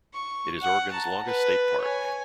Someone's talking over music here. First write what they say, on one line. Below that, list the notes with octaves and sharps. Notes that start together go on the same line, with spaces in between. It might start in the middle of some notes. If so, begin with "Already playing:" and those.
It is Oregon's longest state park.
C#6
F#5
A5 A#5
B4
C#5 G#5